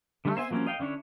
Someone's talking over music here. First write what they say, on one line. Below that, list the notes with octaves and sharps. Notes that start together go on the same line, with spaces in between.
"I have no one."
D3 G3 A3
C5 E5 G#5
F3 F#3 A#3 C4 C#4
D#5 F5 G5
D3 C#4 D4 E4 C#5